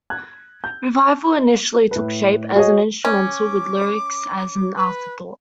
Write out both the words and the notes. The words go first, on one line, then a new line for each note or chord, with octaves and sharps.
"Revival" initially took shape as an instrumental, with lyrics as an afterthought.
F#6 G#6
G6
A2 B4
F#4 G#4 C#5 D#5
C#4 D6
B4